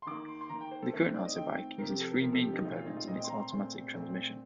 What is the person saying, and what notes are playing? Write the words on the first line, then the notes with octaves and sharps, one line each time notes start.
The current Autobike uses three main components in its automatic transmission.
C6
D#3 A#3 D6
C6
C6
D#3 A#3 A#5
G5
C5
A4
D#3 A3 C4 A#4
C5
D5
D#5
D#3 A3 C4 G5
C3 F3 C4 A#4
G4
A4
A#4
C3 F3 C4 A#4
A4
G4
D#4
A#2 A3 C4 F4
F4
D#4
F4
A#2 A3 C4 D#5
G5
C6
A#5
C6
A#2 A3 C4 C6
A#2 A3 C4